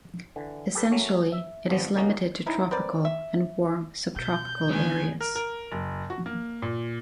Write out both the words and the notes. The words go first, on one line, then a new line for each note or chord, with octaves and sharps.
Essentially it is limited to tropical and warm subtropical areas.
D3 E3
G4 A4 B4
F#3 A3 A#3 C#4
E5
G#1 F3 G3 B3
C#3 A#3 C#4 D#4 F#4
C#4 D#4 E4
C4 A#4 B4 D5
E5
B2 G6
D3 D#3 B3 G#5
A#4
A#4
F#1
F#4
A#3
A#2